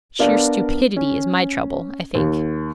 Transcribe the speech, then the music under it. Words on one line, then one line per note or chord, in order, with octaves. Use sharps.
Sheer stupidity is my trouble, I think.'
B3 D4 A#4 D5 F5
C#4
D#2